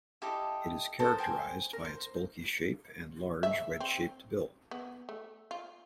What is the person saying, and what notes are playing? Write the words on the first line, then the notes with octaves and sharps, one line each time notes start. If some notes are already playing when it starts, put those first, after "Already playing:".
It is characterized by its bulky shape and large, wedge-shaped bill.
E4 G4 A4 D#5
A4 A#4 C5 D#6
C5 G5 G#5
A#4
C5
E5
C4
B3
A3
F4